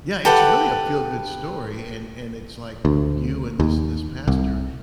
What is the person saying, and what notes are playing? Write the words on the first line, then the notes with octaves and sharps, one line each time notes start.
Yeah, it's really a feel-good story, and and it's like you and this this pastor,
G4 A4 B4 F#5
D2
D#2
C2